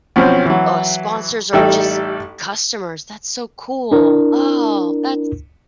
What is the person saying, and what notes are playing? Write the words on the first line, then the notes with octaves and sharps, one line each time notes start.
uh, sponsors or just customers. That's so cool. Oh, that's
B1 F3 C4 C#4
E3 F#3
A1 G3 D#4 A4 E5 G5
D4 E4 A#4